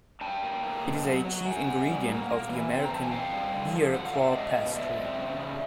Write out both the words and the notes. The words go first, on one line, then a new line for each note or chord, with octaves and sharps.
It is a chief ingredient of the American bear claw pastry.
D4 G5 A5
A#3
A#3
B2
F#3
F#3
F#3 F#5 G#5
F#3
G3
A#3
A#3
E3
C4
A#5
E3 A5
G#5
C4 F5 G5
G3
D3
F3
D3 F#5
F5
D4 E5 F#5
G#3 D#5 F5
B2
G#3 D5 E5
C4
C#3
C#3